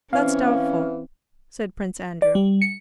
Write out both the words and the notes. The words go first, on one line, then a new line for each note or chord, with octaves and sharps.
"That is doubtful," said Prince Andrew.
E3 C4 C#4 F5
D5
G3
C#7